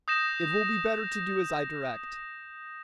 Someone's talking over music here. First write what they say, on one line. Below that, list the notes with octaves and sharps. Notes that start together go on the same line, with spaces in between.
It will be better to do as I direct.
D#6 G6 A#6 E7